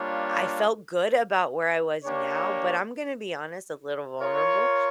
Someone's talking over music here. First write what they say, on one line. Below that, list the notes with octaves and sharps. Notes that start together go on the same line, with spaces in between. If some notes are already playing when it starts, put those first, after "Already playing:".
I felt good about where I was now, but I'm gonna be honest, a little vulnerable,
Already playing: G3 A#3 D4 F4 C#5
A#3 D4 G4 C#5
F4 A#4 C#5